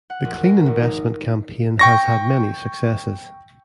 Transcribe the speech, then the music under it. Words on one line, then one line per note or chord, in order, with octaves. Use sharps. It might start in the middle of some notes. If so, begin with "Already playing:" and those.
The Clean Investment campaign has had many successes.
F#5
A#1
A#4
G#1
D#4
G5 C#6 A#6